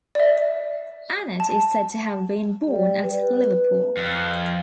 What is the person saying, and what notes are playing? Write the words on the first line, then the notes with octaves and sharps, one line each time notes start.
Annet is said to have been born at Liverpool.
D5 E5
A5
G3
B4
F2